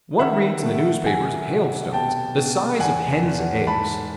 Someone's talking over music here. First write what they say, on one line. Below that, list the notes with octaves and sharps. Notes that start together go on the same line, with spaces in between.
One reads in the newspapers of hailstones the size of hens' eggs.
D#3 E5 F#5
A3
F#3 F#5 G#5
C3
B2 G5 A5
B2
E2 F#5 G#5
E2
G#2 A5 B5